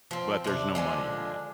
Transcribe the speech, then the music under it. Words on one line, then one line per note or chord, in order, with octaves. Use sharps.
but there's no money in that."
F3 C4
C3 D4
D3 F3 G#3 D4